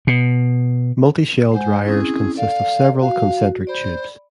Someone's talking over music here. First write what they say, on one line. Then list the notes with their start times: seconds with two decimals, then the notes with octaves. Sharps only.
Multi-shell dryers consist of several concentric tubes.
0.07 B2
1.52 G#3 C5 F#5 G#5
1.85 C4 C#4 E4 G#4
2.37 A4 D5 F5
3.01 F#4 F5
3.67 C5 D5 B5